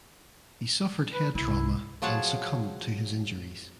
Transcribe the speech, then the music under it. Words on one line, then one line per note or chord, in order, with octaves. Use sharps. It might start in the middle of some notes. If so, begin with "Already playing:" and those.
He suffered head trauma and succumbed to his injuries.
B4
C2 E4
F3 F#3 G#4 C#5 F#5 A5